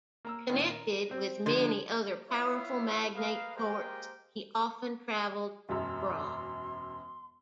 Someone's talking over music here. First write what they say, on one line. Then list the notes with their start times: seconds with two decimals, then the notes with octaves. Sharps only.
Connected with many other powerful magnate courts, he often traveled abroad.
0.25 A#3 A#5 E6
0.50 A#2 D#3
0.69 A#4
1.11 C4
1.46 D3 F3 G#3 C6
2.29 B3 E4 F4 C#5 E5 F5
3.15 A#3 B4 D#5 F5
3.56 G#3 A#3 G4 A#4 C5 G5
5.69 E1 F#2 C6